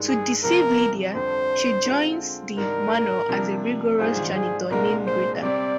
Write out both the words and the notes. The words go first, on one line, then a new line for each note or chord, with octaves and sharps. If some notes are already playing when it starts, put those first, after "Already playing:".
To deceive Lidia, she joins the manor as a "rigorous" janitor named Greta.
Already playing: G2 D#3 G#3 D#4
G#4
C2 C3 F3 A#4
F2 D3 G3 C5
D3 G#3 C4 F4
G#2 G3 D4 A#4
C3 F3 A#3 D4
G#2 G3 D4 F4 G#4 C5
G#4
C2 A#2 G#3 D4 A#4
C5
C3 G3 C4 G4 D5